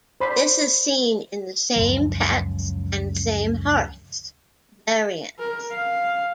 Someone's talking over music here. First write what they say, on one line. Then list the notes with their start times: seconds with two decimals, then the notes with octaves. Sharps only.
This is seen in the "Same Pets" and "Same Hearths" variants.
0.20 C5 D5 B5 C6
1.76 C#2 F#2 F3
5.39 A#4
5.70 F5